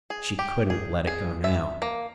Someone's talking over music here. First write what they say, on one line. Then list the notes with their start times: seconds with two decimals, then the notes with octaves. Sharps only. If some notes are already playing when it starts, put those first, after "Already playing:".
She couldn't let it go now.
0.10 G#4
0.39 G4
0.70 G#4
1.07 G#4
1.44 E5
1.82 A#3